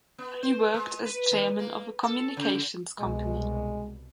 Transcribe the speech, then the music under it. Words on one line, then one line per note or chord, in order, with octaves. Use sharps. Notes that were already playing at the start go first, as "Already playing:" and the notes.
He worked as chairman of a communications company.
B3
C5
G#3
B4
D#2
A#3
A4
C#3
C2 B2 G#3